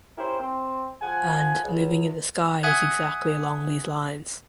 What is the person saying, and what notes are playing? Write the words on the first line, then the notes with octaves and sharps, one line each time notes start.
And "Living in the Sky" is exactly along these lines.
C#4 E4 G4 A#4 C5
C4
F3 F#5 G#5
C#2
E5 F#5 G#5 D#6 F#6 G#6